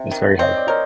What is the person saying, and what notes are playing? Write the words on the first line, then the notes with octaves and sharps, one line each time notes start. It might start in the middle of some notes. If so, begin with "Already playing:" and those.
It's very hard.
Already playing: C3
D#3
C4 C#5 D#5
D5
A#4 C#5 D#5